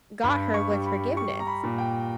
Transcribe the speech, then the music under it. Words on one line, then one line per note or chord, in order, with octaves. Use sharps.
got her was forgiveness.
G2 B5
C#6
G3
B5
G3 C#6
A#5
B5
A#2
G5